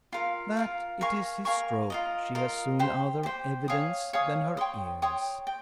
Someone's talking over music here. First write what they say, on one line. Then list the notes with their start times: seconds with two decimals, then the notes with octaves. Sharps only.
That it is his stroke she has soon other evidence than her ears.
0.12 F4 A#4 F5
0.57 F4 A#4 F5
1.01 A#4 F5 G#5 C#6
1.45 A#4 F5 G#5 C#6
1.90 F4 A#4 D#5
2.35 F4 A#4 D#5
2.79 G4 C5 G5
3.23 G4 C5 G5
3.68 C#5 F5 G#5 D#6
4.13 C#5 F5 G#5 D#6
4.57 C#5 G5 C6 D#6
5.02 C#5 G5 C6 D#6
5.47 G5